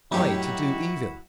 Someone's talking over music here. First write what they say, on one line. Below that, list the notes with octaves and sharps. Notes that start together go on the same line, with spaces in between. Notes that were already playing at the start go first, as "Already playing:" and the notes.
I, to do evil!
F#2 A2 D#4 E4 F#4 G4